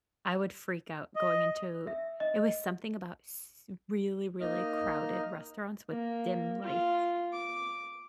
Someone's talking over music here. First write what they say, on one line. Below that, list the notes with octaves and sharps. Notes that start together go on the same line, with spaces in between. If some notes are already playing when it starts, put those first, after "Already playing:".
I would freak out going into it was something about s really, really crowded restaurants with dim lights.
D#5
E5
D#5
A#3 D#4 D#5 F6
A#3
F4
D6